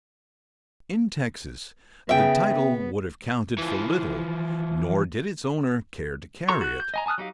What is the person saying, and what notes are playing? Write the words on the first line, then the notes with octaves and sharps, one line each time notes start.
In Texas the title would have counted for little; nor did its owner care to carry it.
C#3 B3 E5 G5
B3
E3 F3
F#4 A4 A#5 C6 C#6
F#4 F#6
G6
D#5 G#5 A#5
G#5 A5 D#6 F6 F#6
F#3 D#4 G4 F5